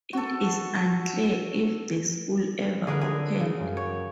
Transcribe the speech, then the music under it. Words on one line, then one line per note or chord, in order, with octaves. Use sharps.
It is unclear if the school ever opened.
F#4 A4
D3 G#4 A#4 B4
G#4
C#3
F#2
C#5